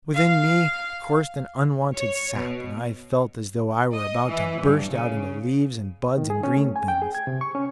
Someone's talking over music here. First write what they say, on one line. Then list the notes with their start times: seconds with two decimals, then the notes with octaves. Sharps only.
Within me coursed an unwonted sap, and I felt as though I were about to burst out into leaves and buds and green things.
0.14 F5
1.95 C#5
2.36 B2
3.94 D#5
4.28 E3
4.62 G2
4.92 C#3
6.18 D#3
6.30 G#4
6.43 C#4
6.57 A3
6.76 G#5
6.88 G5
7.02 G#4
7.15 G#6
7.27 C3
7.41 C#6
7.55 C#4